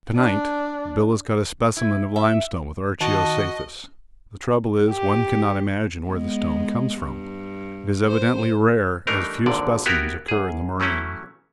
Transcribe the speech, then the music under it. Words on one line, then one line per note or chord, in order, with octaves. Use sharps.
To-night Bill has got a specimen of limestone with archeo-cyathus--the trouble is one cannot imagine where the stone comes from; it is evidently rare, as few specimens occur in the moraine.
D4
E4
E5
D#3 F#4 D#5 A5
G4
G#3 B3
G2
C5
E3 G3 A3 D4 D#4 A#4
G#1 A#2 D3 D5
B3 E4 F#4 G4 A#4 B4
F#2 G#4
E3 F#3 A3 C#4 E4